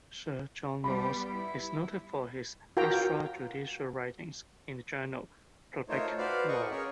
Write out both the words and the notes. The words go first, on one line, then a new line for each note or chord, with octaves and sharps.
Sir John Laws is noted for his extrajudicial writings in the journal, "Public Law".
G3 B3 G4 B5
E4
F4 F#4 A#4 G5 A#5
A3 D#4 F4 A#4 C5 C#5
F#4 B4 C5 D5 F5
A#4 D#5 C#6
C#4 G#4 A#4 C#5